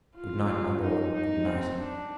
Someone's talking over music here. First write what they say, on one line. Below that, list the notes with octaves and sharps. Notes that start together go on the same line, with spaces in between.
Good night, my lord, good night.
F4
D#4
D#4
C4
D4